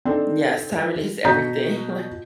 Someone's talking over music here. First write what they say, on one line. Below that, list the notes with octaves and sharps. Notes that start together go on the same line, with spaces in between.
Yes, timing is everything, like
C4 D4 D#4 A4
B2 F#4 A#5 G6 B6